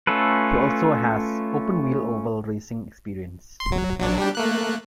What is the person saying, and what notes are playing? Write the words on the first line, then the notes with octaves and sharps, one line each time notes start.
He also has open-wheel oval racing experience.
A3 C#4 F4 A4 B4
C6
F#3
A#1 F#3 D4
G3 D4 G4
A3 A#3 F#6